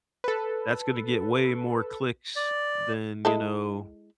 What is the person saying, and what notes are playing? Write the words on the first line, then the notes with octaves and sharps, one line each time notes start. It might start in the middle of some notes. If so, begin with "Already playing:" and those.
that's gonna get way more clicks than, you know,
A4 B4
D5
G#3 E4 A4